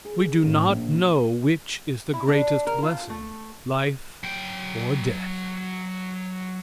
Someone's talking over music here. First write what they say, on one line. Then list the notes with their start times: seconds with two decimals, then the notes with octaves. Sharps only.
We do not know which is the greatest blessing, life or death.
0.05 G#4
0.44 A1
0.68 A#1
2.13 E4
2.28 D4
2.67 A#4
2.83 F4
3.10 A3
4.24 F#3 G5